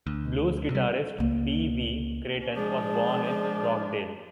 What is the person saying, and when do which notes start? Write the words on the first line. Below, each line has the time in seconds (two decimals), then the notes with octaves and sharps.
Blues guitarist Pee Wee Crayton was born in Rockdale.
0.07 D2
0.70 C3 G3
1.18 C#2 A#3
2.56 F3 G#3 D4 G#4